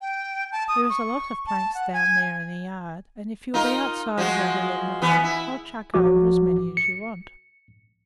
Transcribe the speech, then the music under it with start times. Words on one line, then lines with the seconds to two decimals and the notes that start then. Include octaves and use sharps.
"There is a lot of planks down there in the yard, and if you'll be outside about eleven o'clock, I'll chuck over as many as you want."
0.01 G5
0.52 A5
0.68 D#6
0.90 C#6
1.47 A5
1.75 F#5
1.93 G#5
3.54 D#4 F4 A#4
4.18 F3 G#3 F#4
5.02 E3 B3
5.24 E4
5.94 A#1 F3 F#4 D6
6.77 C#7